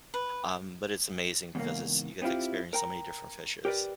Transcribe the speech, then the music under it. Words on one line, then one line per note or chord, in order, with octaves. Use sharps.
um, but it's amazing 'cause it's you get to experience so many different fishes.
B4
E2 G#2 C#3 A#3
B3 C4 E4 F4 G4
A#4 G5 A#5
G4 A#4 B4 D5